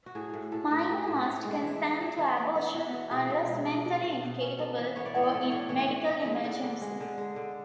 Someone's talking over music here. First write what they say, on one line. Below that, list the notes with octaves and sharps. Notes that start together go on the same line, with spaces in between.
Minor must consent to abortion unless mentally incapable or in medical emergency.
F#4
A2 G#4
A2
A2 A4
A2
A2 B4
A2
B4
A2 C#5
G#3
E3
E5
B3
D5
E3 E5
E3
B3 D5
B3
E3 F#4
B3
B2 G#4
B2
G#3
B2
B2
B2
B2
C#4
B3 A4
E3
B3 C#5
D5
A2 C#5
D5
A2 C#5
D5
A2 C#5
D5
E3 C#5
D5
E3 C#5
B3 E5
G#3 E5
D3 D5
D3
G#3
D3
G#3
D3